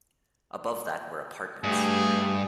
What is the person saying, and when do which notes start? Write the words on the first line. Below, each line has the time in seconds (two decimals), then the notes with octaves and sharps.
Above that were apartments.
1.64 G2 A3 G4 G#4